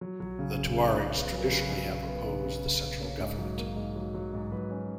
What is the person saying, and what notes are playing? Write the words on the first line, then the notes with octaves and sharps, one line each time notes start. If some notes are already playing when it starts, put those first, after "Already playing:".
The Tuaregs traditionally have opposed the central government.
F#3
F#3
C#3
C#3
C#3
C#3
B3
F#3
A#4
C#3 B4
F#3
C#3
B3
C#3
C#3
C#3
C#3
A#3 C#5
G#2
F#3
A#3
G#2
F#3
F#3
G#2
F#3 B4
C#4